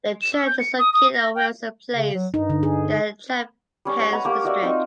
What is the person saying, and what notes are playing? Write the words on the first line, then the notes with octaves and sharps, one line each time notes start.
The church is located at Wilson place, in the Charpennes district.
E7
E6
G6
C#7
D#6
D#6
A#6
G5
C#3
F#3
G2 D#4
D3
G#4
G3 C#4
C#5 G#5
F#5 A#5 B5
A#3 G4 A#4
F#4 D5 E5
C4 D#4 F4